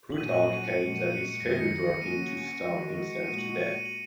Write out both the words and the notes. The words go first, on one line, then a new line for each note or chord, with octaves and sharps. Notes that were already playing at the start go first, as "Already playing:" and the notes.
Plutarch held that its failure drove him to starve himself to death.
F#7
A#2 F#3 C#4 F#4 D#7
D#7
F#7
D#7
C#7
A#2 G#3 F#4 C#7
D#7
C#7
C#7
F#2 D#3 G#3 D#4 A#6
C#7
A#6
C#7
C#3 A#3 C#4 F#4 D#7
D#3 G#3 F#4
C#7
A#2 G#3 D#4 F#4 D#7
F#7
D#7
D#7
F#7